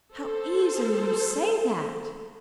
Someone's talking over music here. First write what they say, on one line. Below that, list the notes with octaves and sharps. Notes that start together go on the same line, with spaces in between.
"How easily you say that!"
A4 C5